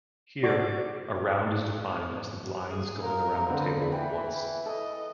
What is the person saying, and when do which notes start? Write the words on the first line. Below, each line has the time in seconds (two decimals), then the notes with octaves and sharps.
Here, a round is defined as the blinds going around the table once.
0.43 F#4 D5 C#6 D6
2.69 G#4
3.02 A#3 A#4
3.49 D3 B3 C4 B5
3.92 E3 G5
4.66 A4 D#5